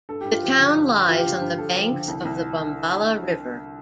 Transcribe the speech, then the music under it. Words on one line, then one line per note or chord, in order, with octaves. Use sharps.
The town lies on the banks of the Bombala River.
G2 A4
G2 G4
F4
F3 G4
D3
G2
G2
F3 F4
G4
D3 F4
G2
G2 A4
F3
D3
C2
C2